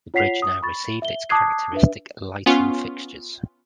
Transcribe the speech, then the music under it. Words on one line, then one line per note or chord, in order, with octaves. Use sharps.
The bridge now received its characteristic lighting fixtures.
F4 C#5 F#5 B6 C7 F7
D#6
B5 C#6 A6
E5 G7
A5 D6 D#6 F#6 G#6 C7
D4 B4 E5
B3 C#4 F4